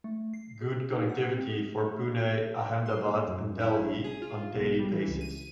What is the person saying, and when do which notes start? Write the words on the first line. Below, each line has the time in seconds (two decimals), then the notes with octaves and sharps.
Good connectivity for Pune Ahemdabad and Delhi on daily basis.
0.04 A3
0.34 C7
0.61 G#4
0.93 D#4
1.09 F#5
1.34 C4
1.50 G#4
1.78 A3
2.86 C6
3.06 A#2
3.28 F#2
3.60 E4
3.74 A#1
4.04 G#4
4.22 F4
4.55 B1
4.79 G3
4.93 E3
5.07 C#2
5.21 D#7